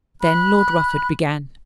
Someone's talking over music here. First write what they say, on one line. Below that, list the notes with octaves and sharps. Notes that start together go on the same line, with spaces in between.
Then Lord Rufford began.
B5 F#6